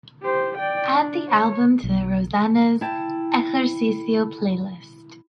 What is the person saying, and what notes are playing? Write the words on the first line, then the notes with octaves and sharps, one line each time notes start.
Add the album to rosanna's ejercicio playlist.
G4 C5
D5 G5
D4
C#5
B1
E4 G5 A5